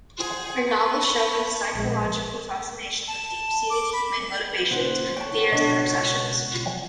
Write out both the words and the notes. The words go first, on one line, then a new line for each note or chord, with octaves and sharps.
Her novels show "a psychological fascination with deep-seated human motivations, fears and obsessions".
G#4 C5 F#5 C6
B4 A5 C#6
A#1 G#3 E5
A5
D6
B5
A#2 C#3 C5 F#5
C#5 G5 A5
C#2 B2 D4 D#5